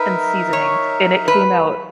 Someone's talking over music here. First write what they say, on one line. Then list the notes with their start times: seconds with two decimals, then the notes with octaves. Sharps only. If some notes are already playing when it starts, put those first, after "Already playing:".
and seasonings, and it came out
Already playing: D#4 A#4 B4 E5
0.53 C#5
1.28 B4